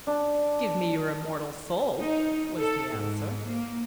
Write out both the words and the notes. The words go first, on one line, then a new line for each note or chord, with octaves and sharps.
"Give me your immortal soul," was the answer.
D4 A5
D#4
A4
G#2
A#3